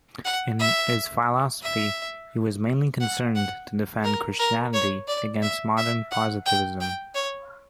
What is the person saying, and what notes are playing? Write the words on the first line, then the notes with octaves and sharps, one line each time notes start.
In his philosophy, he was mainly concerned to defend Christianity against modern Positivism.
F#5
E5
E5
F#5
F#5
A#4
A#4
C#5
D5
E5
E5
F#5
G5
G5
C#5